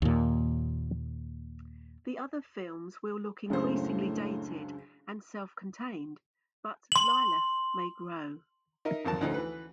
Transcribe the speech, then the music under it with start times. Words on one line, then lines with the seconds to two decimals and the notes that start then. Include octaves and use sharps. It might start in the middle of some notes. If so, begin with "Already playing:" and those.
The other films will look increasingly dated and self-contained, but "Lilith" may grow.
0.02 D#2 A#2
3.50 C#2 F#2 A2 C#3 C#4 D4 C5
6.92 C6 F#7
8.85 D#4 A#4 D#5 E5
9.05 G#1 F2 A#4 A5
9.21 D2 F3 C#4 D#4 A4
9.34 E3 B4